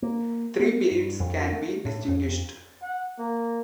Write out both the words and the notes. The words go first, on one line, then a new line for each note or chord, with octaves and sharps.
Three periods can be distinguished.
A#3
B3
G2
F2
A3
A2
F2
F#5
A#3